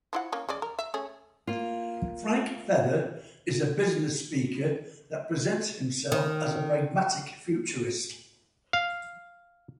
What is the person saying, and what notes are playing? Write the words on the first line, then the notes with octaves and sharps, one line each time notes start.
Frank Feather is a business speaker that presents himself as a pragmatic futurist.
F3 E4 F#5
A#3 C#4
G#3 C#4 D5
A#4
E5
A3 C#4 G#4
A#3 F4
D#3
F5